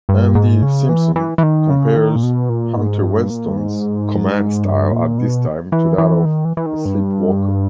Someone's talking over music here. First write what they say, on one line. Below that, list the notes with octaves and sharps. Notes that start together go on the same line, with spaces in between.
Andy Simpson compares Hunter-Weston's command style at this time to that of "a sleepwalker".
G2
G#2
C#3
E3
E3
E3
D#3
C#3
D#3
A#2
B2
A#2
G#2
G2
A#2
G2
G#2
G2
A#2
B2
E3
E3
D#3
E3
E3
D#3
G2